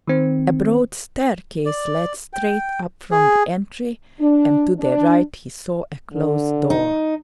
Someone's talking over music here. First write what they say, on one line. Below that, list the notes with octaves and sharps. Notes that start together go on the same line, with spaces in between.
A broad staircase led straight up from the entry, and to the right he saw a closed door.
D#3 C4
D5
G5
G#4
D4
D4
D3
D#4